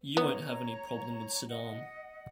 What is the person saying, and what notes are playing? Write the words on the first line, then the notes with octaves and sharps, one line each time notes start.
You won't have any problem with Saddam.
B3 C#5 A#5
D#5 F#5